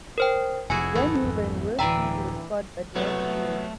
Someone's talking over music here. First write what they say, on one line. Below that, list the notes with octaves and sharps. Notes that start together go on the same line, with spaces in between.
When woven, worsteds were scoured but not fulled.
A#4 C5 G5
F1 E4 F#4 G#4 G#5
G#1 E2 A3 B3
G#1 F2
D1 E3 D5 E5 G5 A#5
C2 F#3 A3 B3 C#5